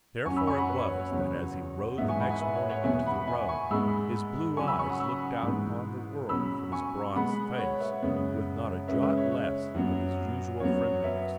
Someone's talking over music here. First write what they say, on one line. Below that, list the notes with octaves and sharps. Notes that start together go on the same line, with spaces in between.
Therefore it was that as he rode the next morning into the Row his blue eyes looked out upon the world from his bronzed face with not a jot less of his usual friendliness.
F#2 F#3 C#4 G#5 C#6
B5 E6
G#5 C#6
F#5 B5
B4
C#5
C#5
E2 C#3 F#3
G#2 E3 B3 B4 E5
G#5 C#6
F#5 B5
E5 G#5
B4 E5
C#5
C#5 F#5
E2 B2 B3 E5 G#5
F#5 B5
E5 G#5
G#5 C#6
G#2 G#3 B3 B5 E6
C#3 F#3 C#4 G#5 C#6
B5 E6
G#5 C#6
F#5 B5
B5 E6
G#2 E3 B3
B2 F#3 C#4 B5 E6
G#5 C#6
B2 G#3 B3 F#5 B5
C#5 F#5
B4 E5
F#2 C#3 G#3 B3
C#3 G#3 C#4 B4 E5
B4 E5
C#5
C#5
F#2 F#3 B3
F#2 F#3 B3 C#5
B4 E5